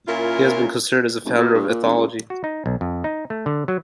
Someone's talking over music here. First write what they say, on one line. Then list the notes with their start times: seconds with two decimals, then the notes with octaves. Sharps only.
He has been considered as a founder of ethology.
0.07 A#2 C#4 E4 F4 A#4
1.25 F#1
1.38 B2
1.54 G2
1.69 A#2
1.84 E1
1.97 C#2
2.30 F#4
2.44 D#4
2.66 B1
2.81 F2
3.04 D#4
3.30 A3
3.46 D3
3.68 F#3